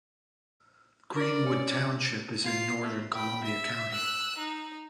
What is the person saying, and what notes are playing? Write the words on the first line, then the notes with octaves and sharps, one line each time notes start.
Greenwood Township is in northern Columbia County.
A#4 D5
C#4
F4 C7
A3
G5 B5
E5
E6 F#6
D#4